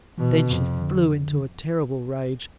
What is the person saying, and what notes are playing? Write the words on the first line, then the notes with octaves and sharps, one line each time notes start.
Then she flew into a terrible rage.
B2 E3
D3
F2 C3
D3
D3